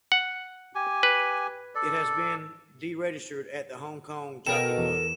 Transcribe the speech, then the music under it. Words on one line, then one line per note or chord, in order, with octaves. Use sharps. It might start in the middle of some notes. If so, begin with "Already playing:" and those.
It has been deregistered at the Hong Kong Jockey Club.
F#5
G4 G#5
B4
A4 D5
B2 A4 A#4 G5 E7
E2